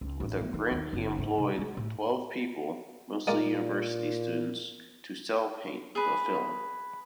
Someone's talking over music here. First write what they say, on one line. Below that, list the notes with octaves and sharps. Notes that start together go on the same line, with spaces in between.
With a grant he employed twelve people, mostly university students, to cel-paint the film.
C#2
A1
A3
D#3
D#2
F#1
G#2
C3
G#3
A2
A#2 G#3 A#3 D5
G#4 B4